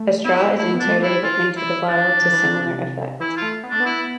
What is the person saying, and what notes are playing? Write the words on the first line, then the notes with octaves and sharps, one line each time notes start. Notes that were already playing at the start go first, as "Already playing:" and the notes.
A straw is inserted into the bottle to similar effect.
Already playing: A3
B3 E4
A3 E4
B3
D4
G3
A3
G3 E4
E3 F4
E4
D4
F3
E3
D3
C3
E3 E4
F4
A3
B3
A3 D4
B3
E4